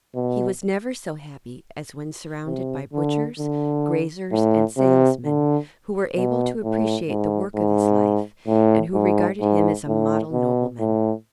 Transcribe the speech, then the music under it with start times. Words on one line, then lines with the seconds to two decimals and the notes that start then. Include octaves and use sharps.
He was never so happy as when surrounded by butchers, graziers, and salesmen who were able to appreciate the work of his life, and who regarded him as a model nobleman.
0.15 B2
2.46 C3
2.93 D3
3.39 D3
4.31 A2
4.78 C3
5.25 D3
6.17 B2
6.63 A2
7.09 G#2
7.55 G#2
8.47 A2
8.94 G#2
9.41 G#2
9.87 A2
10.32 B2
10.79 A2